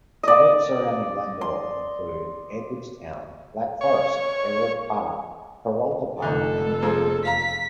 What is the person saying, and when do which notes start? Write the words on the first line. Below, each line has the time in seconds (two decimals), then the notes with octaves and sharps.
Suburbs surrounding Glandore include Edwardstown, Black Forest, Everard Park, Kurralta Park and Plympton.
0.23 D5 D#5
1.41 C6
3.81 C#5
6.22 F1 D3 D#4 A4
6.82 F3 G#3 A#3
7.25 F5 A#5 B6